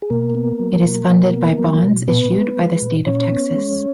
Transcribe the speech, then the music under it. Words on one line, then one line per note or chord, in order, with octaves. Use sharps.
It is funded by bonds issued by the state of Texas.
G#4
B2 A#3 A#4
B3
F#3
B2
B2
B3
F#3
B2
A#2 B3 B4
B3
G#3
A#2
A#2 C#4 C#5
B3
G#3